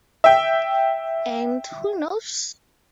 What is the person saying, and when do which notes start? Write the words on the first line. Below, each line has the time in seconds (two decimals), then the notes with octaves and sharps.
And who knows...?
0.24 E5 G5